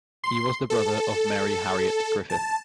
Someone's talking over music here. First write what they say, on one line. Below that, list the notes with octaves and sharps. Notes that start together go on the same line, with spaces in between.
He was the brother of Mary Harriett Griffith.
C6
A4
A5